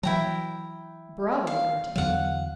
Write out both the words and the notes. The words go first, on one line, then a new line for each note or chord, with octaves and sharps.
Bravo, d'Artagnan!
E3 F#3 E4 G5 A#5
F5
E2 D3 F#3 F5 F#5